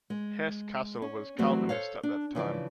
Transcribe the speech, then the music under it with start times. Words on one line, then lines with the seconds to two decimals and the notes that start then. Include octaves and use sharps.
Hesse-Kassel was Calvinist at that time.
0.10 G#3
1.02 C#4
1.38 E3 F#3 G3 A3 C4
1.69 A4 C5 C#5 F5
2.03 D4
2.35 C#3 E3 F3 D5